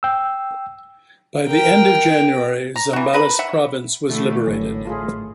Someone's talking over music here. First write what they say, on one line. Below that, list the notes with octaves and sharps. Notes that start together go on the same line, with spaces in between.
By the end of January, Zambales province was liberated.
G5 E6
A#4 G5
A#5
E3 F#4
A#4 B4 B5
E5 F#5
D3 E3 A3
G#1 A2 D3 E3 F#3
A3 F4 G#4